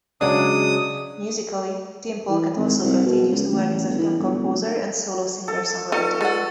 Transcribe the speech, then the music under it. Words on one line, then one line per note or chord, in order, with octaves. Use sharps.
Musically, Tim Polecat also continues to work as a film composer and solo singer-songwriter.
C#3 F#3 G#3 D4 D#6
E3
G#1
C2
B2
C#2
A1
G1
E3
G1
F1
A4
D#4 F4 A4 B4 D5 C#6 C#7
G#3 F#5 E6 A6 C#7